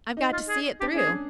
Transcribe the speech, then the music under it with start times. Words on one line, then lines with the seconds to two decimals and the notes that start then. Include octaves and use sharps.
I've got to see it through.
0.17 D#4
0.33 F4
0.49 G#4
0.80 D4 G4
0.94 C#4 G#4
1.06 D4